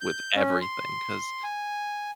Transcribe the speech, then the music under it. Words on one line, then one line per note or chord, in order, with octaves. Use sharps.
with everything 'cause,
G6
C#4
C6
G#5